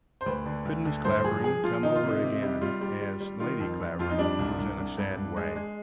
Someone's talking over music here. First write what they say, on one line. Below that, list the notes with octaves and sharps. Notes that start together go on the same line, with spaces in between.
Could Mrs. Clavering come over again, as Lady Clavering was in a sad way?
C5
D2 B4
D3
D2
D3
G2 C5
F3 G#4
F3 G#4
F3 F4
D#3 D#4
F4
C3
D#4
C3
G3
G3 F4
G3
G3
G3
D#3 F4
F2
F2
F2 F4
D#4
G3 D4
C2
C2
C2
G2
G2
G#3
G#3